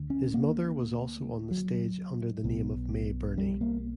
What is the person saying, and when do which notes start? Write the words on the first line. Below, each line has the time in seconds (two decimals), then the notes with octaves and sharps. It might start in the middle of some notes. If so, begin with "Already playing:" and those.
His mother was also on the stage under the name of May Burney.
Already playing: D2 D3
0.10 C#4
0.34 A#3
1.51 F#3
2.45 B1 B2
3.38 G3
3.61 A#3